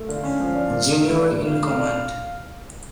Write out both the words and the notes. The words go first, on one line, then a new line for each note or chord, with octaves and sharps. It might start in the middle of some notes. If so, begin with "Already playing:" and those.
Junior in command.
Already playing: A3
D3 F5
C#4
F3
D4
A#2
A#2
A3
D4
A#2
A#2 F5
A3
D4